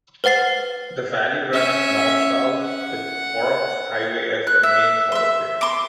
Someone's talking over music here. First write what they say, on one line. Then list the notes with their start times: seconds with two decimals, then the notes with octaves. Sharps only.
The valley runs north-south, with Horrocks Highway as the main thoroughfare.
0.24 B4 C5 F#5 A6 C7
1.53 C#4 E5
2.61 F#5
4.47 F#6
4.63 E5
5.12 E5 C6
5.61 C6 D6